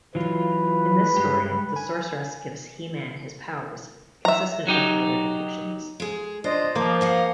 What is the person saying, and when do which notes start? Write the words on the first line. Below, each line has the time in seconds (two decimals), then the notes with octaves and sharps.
In this story, the Sorceress gives He-Man his powers, consistent with later depictions.
0.15 E3 F#3 F4 B4
1.17 G2 G#3 G4
1.76 G#5
4.25 E5 A#5
4.67 F#3 D#4 G4
6.00 G#3 G#4
6.44 D4 F4 C5 D#5
6.75 F3 A#3
7.01 D#5 F5 F#5